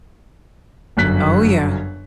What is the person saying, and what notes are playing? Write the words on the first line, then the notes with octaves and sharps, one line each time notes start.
Oh, yeah.
G1 F#2 F#6 B6